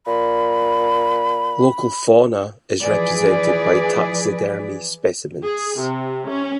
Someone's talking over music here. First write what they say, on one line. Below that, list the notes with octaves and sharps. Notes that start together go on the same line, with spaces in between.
Local fauna is represented by taxidermy specimens.
A#2 B5
E3 F3 G#4 B4 D5
G#4
C3
C#4